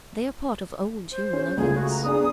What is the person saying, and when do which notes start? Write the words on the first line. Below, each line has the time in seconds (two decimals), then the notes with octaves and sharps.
They are part of old human ugliness.
1.11 C5
1.33 C#4
1.57 C#2 A3 F4 G#4
1.75 F#4
1.90 A#5
2.04 B3 D4 G#4 D#6